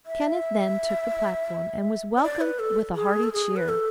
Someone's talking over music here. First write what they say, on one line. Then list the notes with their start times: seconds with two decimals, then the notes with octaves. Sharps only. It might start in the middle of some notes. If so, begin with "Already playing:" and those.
Kenneth then took the platform and was welcomed with a hearty cheer.
0.06 E5
2.17 C#5
2.23 D5
2.41 B4
2.59 A4
2.95 G#4
3.24 A4
3.33 G#4
3.56 B4
3.69 A4